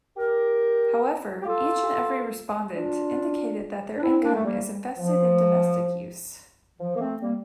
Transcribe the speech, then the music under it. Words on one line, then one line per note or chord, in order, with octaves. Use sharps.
However, each and every respondent indicated that their income is invested in domestic use.
G4 A#4
G4
F4 A4
D4 F4
D4
C4 E4
A#3 D4
A3
G3 A#3
F3
F3
A#3
A3 C4
G3 A#3